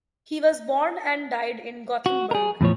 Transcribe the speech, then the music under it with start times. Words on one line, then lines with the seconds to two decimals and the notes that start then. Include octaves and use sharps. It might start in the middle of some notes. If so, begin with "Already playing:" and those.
He was born and died in Gothenburg.
2.06 F#4
2.31 G#4 A#4
2.61 E2 A2 F3 C#5